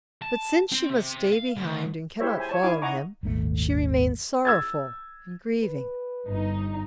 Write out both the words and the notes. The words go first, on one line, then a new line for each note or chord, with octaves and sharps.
But since she must stay behind and cannot follow him, she remains sorrowful and grieving.
A5
C4
C3
F5
D2
E4 G4 G#4 C5 C#5 E5
C5 G#5
C#5 A5
D#4 E4 F5 G#5 D6
D#5 F#5 G#5 A#5 C#6 D6
D#1 G#1 D#2 A3
E6 G#6 A6
B4
G1 D#4